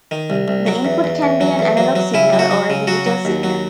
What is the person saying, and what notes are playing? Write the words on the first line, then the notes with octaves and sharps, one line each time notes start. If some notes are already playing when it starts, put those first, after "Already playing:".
The input can be an analog signal or a digital signal.
D#3
C2
C2
F#3
E2
E2
E2
F#3
E2
F#3
F#3
C#3 E4
F#3
F#4
F#3
C#3
F#3 F#4
F#3
D#2
F#3